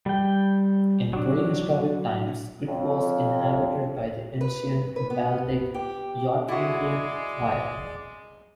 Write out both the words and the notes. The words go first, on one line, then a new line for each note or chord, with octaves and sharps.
In prehistoric times it was inhabited by the ancient Baltic Yotvingian tribe.
G3 G5
F#3 D4
F2 C#5
B4
B4
B3
G4
G#3 E4 F#4 G#4 D5